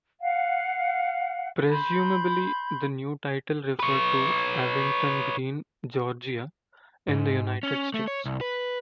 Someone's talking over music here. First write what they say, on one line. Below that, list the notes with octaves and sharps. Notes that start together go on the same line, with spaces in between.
Presumably the new title referred to Abington Green, Georgia, in the United States.
F5 F#5
B5 C6 G6
B4 C#5
G#2
C#4
A3
C#5
C2
B4